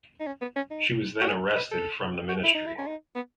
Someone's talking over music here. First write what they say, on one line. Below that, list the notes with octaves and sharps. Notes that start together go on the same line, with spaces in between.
She was then arrested from the Ministry.
D#4
C#4
B3
C#4
D#4
F#4
G#4
B4
A4
F#4
E4
D#4
E4
C#4
D#4
B3